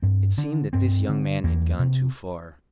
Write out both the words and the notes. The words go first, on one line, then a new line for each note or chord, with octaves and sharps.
It seemed that this young man had gone too far.
G2 C4
D3 D4
G2 C4
D3
E2 A#3
C3